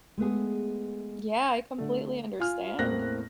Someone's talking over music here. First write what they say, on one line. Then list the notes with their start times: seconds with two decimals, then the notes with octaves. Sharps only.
Yeah, I completely understand.
0.18 G#3 A3 B3 G#4
1.78 D3 A3
2.40 F4 G#5 F6
2.78 E2 A2 A#3 C4 F#6 A#6